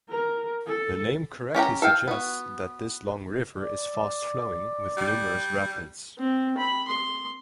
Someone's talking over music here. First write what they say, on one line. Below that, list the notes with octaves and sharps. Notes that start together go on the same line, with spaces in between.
The name correctly suggests that this long river is fast flowing, with numerous rapids.
A#4
A4
C#4 G4 F#5 A#5
A4 F5 G5
B3 F#4
D5
G3
C4
B5
C6